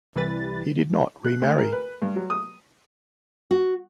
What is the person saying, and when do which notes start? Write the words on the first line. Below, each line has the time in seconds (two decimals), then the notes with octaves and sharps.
He did not remarry.
0.16 C2 E3 G3 B4 A6
1.24 F#6
1.42 D2
1.58 A#4
1.72 B4
2.02 G2
2.16 F#3
2.30 D#6
3.51 F#4